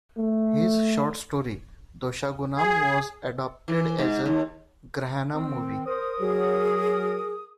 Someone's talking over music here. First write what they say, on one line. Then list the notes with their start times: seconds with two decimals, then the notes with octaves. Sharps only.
His Short story Doshagunam was adapted as a Grahanam movie.
0.18 A3
2.57 G#4
3.68 E3
3.98 G#2
4.26 D#2
5.34 D#3 C4
5.87 A#4 C5 D#6
6.20 F#3 G#4